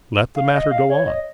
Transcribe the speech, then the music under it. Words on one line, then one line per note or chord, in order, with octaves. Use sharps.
Let the matter go on.
F5
D#5
F5
C#5
D#5